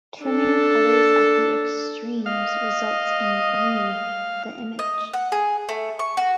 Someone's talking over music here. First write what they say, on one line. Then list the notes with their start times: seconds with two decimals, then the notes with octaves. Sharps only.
Trimming colors at the extremes results in burning the image.
0.24 D4 A4
2.26 D#5 F5
4.79 D#5
5.13 F#5
5.32 G#4
5.69 A3
5.99 C#6
6.17 F#4